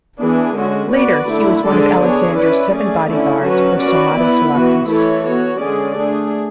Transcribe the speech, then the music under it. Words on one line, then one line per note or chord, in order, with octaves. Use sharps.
Later, he was one of Alexander's seven bodyguards, or somatophylakes.
E3 B3 D4 G#4
D3 G#3 C#4 F#4
B3 F#4 B4 D5
D3 A3 E4
D3 G#3 D4 A4 D5
B3 D4 G#4 C#5
C#4 E4 B4 D5
A3 C#4 G#4 D5
D3 A3 C#4 E4
F#3 C#4 F#4 B4
C#4 F#4 B4 D5
B3 E4 B4
E3 B3 F#4
E3 A3 E4 A4 C#5
B3 F#4 C#5
D3 G#3 C#4 G#4 D5
A3 D4 G#4